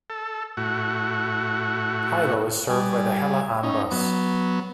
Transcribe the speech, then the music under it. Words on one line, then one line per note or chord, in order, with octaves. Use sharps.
Hilo is served by the Hele-On Bus.
A4
A2 F#4
G3 G#5
C#4 D#4
F#3 B3